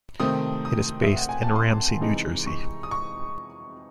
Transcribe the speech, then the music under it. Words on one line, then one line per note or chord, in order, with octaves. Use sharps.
It is based in Ramsey, New Jersey.
C3 D#3 A3 C4 D#6
D#6
E5
F#5
G#5
A5
C6
C3 E3 G#3 D#4
C#6
D#6
C#6